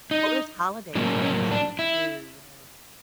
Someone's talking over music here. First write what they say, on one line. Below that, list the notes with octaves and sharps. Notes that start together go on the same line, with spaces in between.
Well, those holiday traditions, too, you know,
D#4
A2 F#3 A#3 C#4 D4
C#4
D4
E4